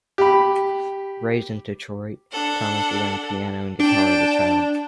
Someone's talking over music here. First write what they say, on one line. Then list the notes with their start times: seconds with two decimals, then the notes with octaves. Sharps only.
Raised in Detroit, Thomas learned piano and guitar as a child.
0.18 G4 B5
2.31 D4 A4 F#5
3.79 D4 G5 A5